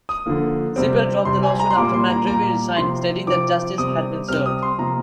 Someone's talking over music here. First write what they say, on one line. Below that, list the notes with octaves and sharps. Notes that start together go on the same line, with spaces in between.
Cipel dropped the lawsuit after McGreevey resigned, stating that justice had been served.
D#6
D3 F3 A#3
C3 G3 C4
C3 G3 C4 C6
G#5
A#5
C6
A#2 G3 A#3 D6
C6
A#5
A#2 G3 A#3 A#5
C3 F3 C4 C6
C3 F3 C4 D6
C3 G3 C4 D#6
C3 G3 C4 F6
D#6
C6
C3 F3 A#3 A#5